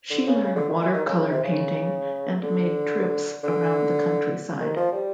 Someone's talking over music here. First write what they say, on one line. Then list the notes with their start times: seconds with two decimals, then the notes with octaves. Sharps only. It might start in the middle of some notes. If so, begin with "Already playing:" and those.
She learned water colour painting and made trips around the countryside.
0.10 D3
0.27 C#3
0.44 C#3
0.56 D3
0.69 D#3
0.81 E3
0.94 D#3
1.06 C#3
1.19 C#3
1.31 C3
1.44 C#3
2.43 D3
3.44 D3
4.60 D#3
4.76 F3
4.93 G3